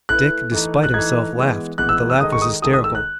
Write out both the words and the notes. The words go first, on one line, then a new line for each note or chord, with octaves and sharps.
Dick, despite himself, laughed, but the laugh was hysterical.
A3 E4 B4 F#6
E3 A3 D#4
F#6
E3 A3 D#4 G#6
E3 G#3 B3
E3 G#3 B3 F#6
E6
E6
D#3 G#3 D#4 A4 D#5 D#6
C#6
D#6
D#3 G#3 D#4 A4 D#5 D#6
D#6
E6
F#6